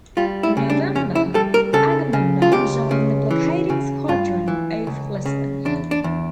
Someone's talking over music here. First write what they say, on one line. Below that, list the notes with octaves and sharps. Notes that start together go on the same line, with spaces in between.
In November, "Agamemnon" joined the blockading squadron off Lisbon.
G3 F4
E4
C#3
D4
F2 C#4
E4
G3 A4
A#4
C#3 A4
C#3
F4
C#2 G4
C#3
E3
C#3
G2 F4
E3
C#2
C#3
E2 D4
D4
E2